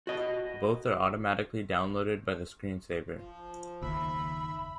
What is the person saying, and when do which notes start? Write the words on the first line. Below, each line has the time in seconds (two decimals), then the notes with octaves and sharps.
Both are automatically downloaded by the screen saver.
0.07 F#4 D#5
3.15 F3
3.82 F#1 D#2 E5 B5